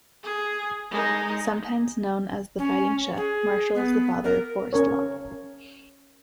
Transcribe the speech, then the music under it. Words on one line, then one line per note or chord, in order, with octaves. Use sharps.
Sometimes known as "The Fighting Chef", Marshall is the father of Forest Law.
G#4
G#3 D#4
C#4
G#4
B3
A#4
C#4 A#4 C#5